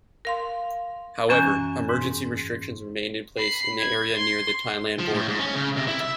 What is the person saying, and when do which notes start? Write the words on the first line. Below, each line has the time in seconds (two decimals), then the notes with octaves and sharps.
However, Emergency restrictions remained in place in the area near the Thailand border.
0.25 A#4 F5 C6
1.29 F#2 E3 C#4 G#5 F#6 G6
1.89 G#2
3.37 B5 C7
3.79 G#6
4.16 C6
4.99 F3
5.14 A2
5.28 G#2
5.39 C#4
5.55 C#3
5.77 C3
5.88 E4
6.00 E5